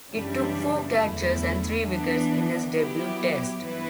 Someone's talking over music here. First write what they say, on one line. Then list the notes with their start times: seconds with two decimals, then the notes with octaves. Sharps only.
He took four catches and three wickets in his debut Test.
0.11 F#2 C#3 E3 G3 D4
0.97 E2 D3 A3 E4
1.85 E3 B3 D4
2.72 F#3 B3 E4 G4
3.59 G2 E3 B3 E4 B4